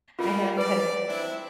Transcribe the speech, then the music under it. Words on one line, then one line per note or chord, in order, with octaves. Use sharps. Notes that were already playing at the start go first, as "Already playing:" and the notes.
I have had
D#3 A3 A#3 F4 B5
B4 D5
C4 D4 E4